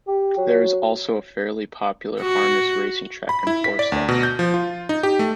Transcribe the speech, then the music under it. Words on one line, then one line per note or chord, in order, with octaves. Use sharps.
There is also a fairly popular harness racing track in Forssa.
G4
F#3
F#4
B5
E4
B6
D5
D2
B2
G6
F3
F4
D#4
G4
A3